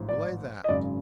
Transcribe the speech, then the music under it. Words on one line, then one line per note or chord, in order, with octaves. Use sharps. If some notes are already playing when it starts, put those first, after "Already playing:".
"Belay that!"
Already playing: A1 G#2 F3
D5
D#5
G#1 F#2 C#3 D5